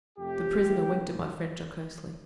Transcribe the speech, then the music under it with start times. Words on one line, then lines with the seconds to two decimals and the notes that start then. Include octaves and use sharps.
The prisoner winked at my friend jocosely.
0.18 F2 C3 F3 A3 G4
0.65 D2 C3 E3